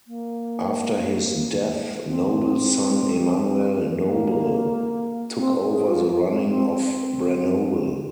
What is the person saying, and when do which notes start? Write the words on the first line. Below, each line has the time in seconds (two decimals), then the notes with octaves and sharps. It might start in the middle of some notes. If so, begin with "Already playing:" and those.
After his death, Nobel's son Emanuel Nobel took over the running of Branobel.
0.07 A#3
2.06 C4
4.05 A#3
5.37 C4
5.71 G#4
5.87 F4
6.27 C4
6.48 C4
6.70 C4